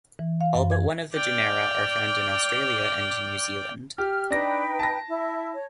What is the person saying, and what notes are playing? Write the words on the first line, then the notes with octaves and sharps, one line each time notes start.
All but one of the genera are found in Australia and New Zealand.
E3
F5
F#2
G#6
D5 G5 D6 F6
G4 F6
D4 D#4 B4 G5 A#6
A5 A#6
E4
C#5